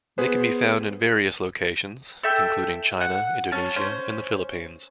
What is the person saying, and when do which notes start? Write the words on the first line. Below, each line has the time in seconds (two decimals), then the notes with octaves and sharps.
They can be found in various locations, including China, Indonesia, and the Philippines.
0.18 B3 G#4 B4 C5
2.23 A4 E5 G5 G6
3.01 F#5
3.52 C#4 A5
3.76 C#4 C5